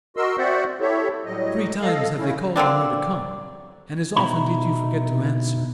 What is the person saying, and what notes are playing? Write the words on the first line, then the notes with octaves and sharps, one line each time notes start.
Three times have they called on you to come, and as often did you forget to answer.
F#4 A#4 D#5 C6 E6
C4 F#4 C5 D5 E5 F#5
E4 G4 A4 C#5 E5
A2 F#3 G3 D#5
A4 D#5 F5
A3 A#3 C#4 E4
D3 A#3 C4 D4
B2 D#4 E4 B5